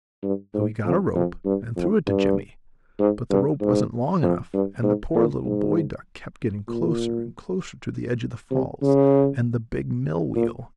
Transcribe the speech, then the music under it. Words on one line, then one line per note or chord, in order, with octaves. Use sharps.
So he got a rope and threw it to Jimmie, but the rope wasn't long enough, and the poor little boy duck kept getting closer and closer to the edge of the falls, and the big millwheel.
G2
G#2
F2
F2
G2
F2
G2
G#2
G2
G#2
F2
G2
G#2
A#2
G#2
A#2
C3
C#3
A#2